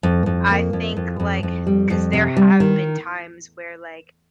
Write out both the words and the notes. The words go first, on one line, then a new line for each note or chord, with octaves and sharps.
I think, like 'cause there have been times, where, like,
F2
F2
A#3
F2
F2
F2
F2
G3
F2
C3
G3
D#3